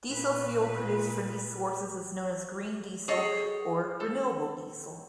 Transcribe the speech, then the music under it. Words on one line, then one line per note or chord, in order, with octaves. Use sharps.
Diesel fuel produced from these sources is known as "green diesel" or "renewable diesel".
A#2 B4
G#4 A4 C#5 D#5
A4